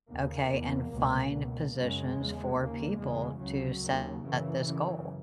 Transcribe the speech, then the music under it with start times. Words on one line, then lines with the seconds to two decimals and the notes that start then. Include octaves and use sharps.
okay, and find positions for people to set this goal?
0.10 D#2 C#3 A#3
0.51 E2 B2
0.92 C#2 B2
1.34 C#2 B2
1.75 F#2 C#3 G#3
2.16 E2 C#3
2.58 D#2 C#3 A#3
2.98 E2 C#3 G#3
3.39 C#2 C#3 F#3
3.82 D#2 C#3
4.22 F#2 C#3 E3
4.64 F#2 C#3